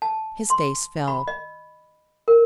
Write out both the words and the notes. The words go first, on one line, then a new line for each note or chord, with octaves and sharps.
His face fell.
A5
C6
B5
D#5
A#4